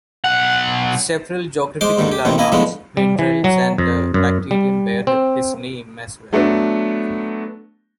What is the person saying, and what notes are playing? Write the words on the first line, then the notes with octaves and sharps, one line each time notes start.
Several geographical landmarks, minerals and a bacterium bear his name as well.
B1 F#5
G#3 C5 C6 D6
D#2 G#2 D3 D#3
G4
A1 D#2 C3 D#3 C4
A#3 E4 D#5 G#5
A2 D3 F3 G#3 A3 B3
G3
E3
F#3
F2
F#2
G3
C4
F#3 A3 B3 D4